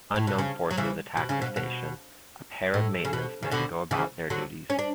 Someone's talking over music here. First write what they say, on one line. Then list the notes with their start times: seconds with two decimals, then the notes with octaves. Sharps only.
Unknown forces attack the station; a pair of maintenance men go about their duties.
0.16 A2
0.27 B2
0.38 C#3
0.71 F#3
0.78 C#3 E3
1.17 B2
1.29 C#3
1.42 B2
1.56 B2
2.74 A2
3.05 C#3
3.13 B2
3.43 C#3
3.51 B2 D3
3.91 C#3 E3
4.30 D3 F#3
4.70 C#4
4.79 D4